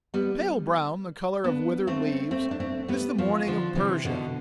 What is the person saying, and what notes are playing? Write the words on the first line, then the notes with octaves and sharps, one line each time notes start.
Pale brown, the color of withered leaves, is the mourning of Persia.
G3 B3
B3 D4
A3 C4
A3 C4
D4
A3 C4
G3 B3
F3 A3
D3 F3
C3 E3
B2 D3